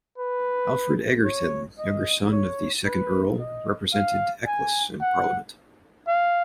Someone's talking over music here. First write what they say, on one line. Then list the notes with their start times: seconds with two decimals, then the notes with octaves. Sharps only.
Alfred Egerton, younger son of the second Earl, represented Eccles in Parliament.
0.18 B4
1.25 C#5
1.79 D#5
2.32 C#5
2.86 B4
3.40 D#5
3.93 F5
4.47 G#5
5.01 F#5
6.07 F5